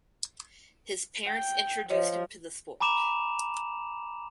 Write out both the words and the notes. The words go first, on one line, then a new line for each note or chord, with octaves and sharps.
His parents introduced him to the sport.
G5
F3 C#5 D#5
G#5 A#5 B5 D6 E7 F7